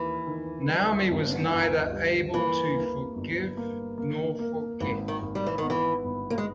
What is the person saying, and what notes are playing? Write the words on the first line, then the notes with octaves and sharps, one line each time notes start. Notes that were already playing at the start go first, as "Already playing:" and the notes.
Naomi was neither able to forgive nor forget.
Already playing: D#2 E3 A#3
D#3
G3
G1
G1
G3
E3 A#3
A#3
G1
A#3
A#3
A#3
G#1 E3
D#3
G#1
G3
E3
D#3 B3
E3
G1
A#3
G#3